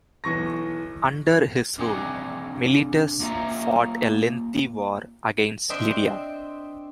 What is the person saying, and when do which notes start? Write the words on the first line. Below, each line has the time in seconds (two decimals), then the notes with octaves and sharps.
Under his rule, Miletus fought a lengthy war against Lydia.
0.24 B1 E3 C#6 A#6
1.78 C3 D4 G#4 G5
3.20 A#3 D4 F4 G4 E5 A#5
5.69 C4 D4 D#5 E5 G5 C6